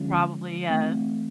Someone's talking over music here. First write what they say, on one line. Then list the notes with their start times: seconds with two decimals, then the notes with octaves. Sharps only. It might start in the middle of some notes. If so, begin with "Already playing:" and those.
Probably, yeah.
Already playing: D3 F3 G#3 C#4 F4
0.70 E3 A3 C4